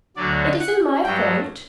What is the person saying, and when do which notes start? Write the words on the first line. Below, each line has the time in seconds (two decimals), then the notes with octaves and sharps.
It isn't my fault.
0.16 D2 D3 F#3 D5
0.60 F#5
1.04 G2 F#3 G5